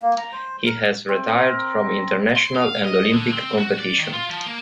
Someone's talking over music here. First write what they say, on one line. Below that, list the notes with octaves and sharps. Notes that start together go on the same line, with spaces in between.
He has retired from international and Olympic competition.
A#3
A#5
C5
A#4
C4
A#4
C6
F5
D#5
D3
C4
F#4
D5
D#3
F4
F3
A#3